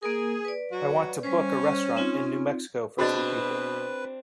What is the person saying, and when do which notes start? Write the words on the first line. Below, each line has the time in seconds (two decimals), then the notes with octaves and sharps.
I want to book a restaurant in New Mexico for two people.
0.03 A#3 G#4 A#4
0.45 B4 D5
0.72 F#3 F#4
1.23 G3 C#4 C5
1.97 C4 D#4 F4
2.98 B2 C4 D4 F#4 G#4 B4 D#5